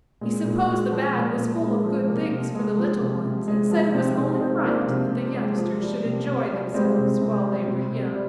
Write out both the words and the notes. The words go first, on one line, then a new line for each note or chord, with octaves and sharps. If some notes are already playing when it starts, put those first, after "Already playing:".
He supposed the bag was full of good things for the little ones and said it was only right that the youngsters should enjoy themselves while they were young.
A#2 G#3
A#2
G#3
F3
A#2
A#2
G#3
F3
C3 A#3
C3
G#3
F3
C3
C3
G#3
F3
C3 G#3 C4
C3 C4 D#4
G#3 C4 D#4
F3 A#3 D4
C3
C3
G#3
F3
G3
C3
C3
G3
G3 G#3 C4
C3
C3
G3
C3
C3
G3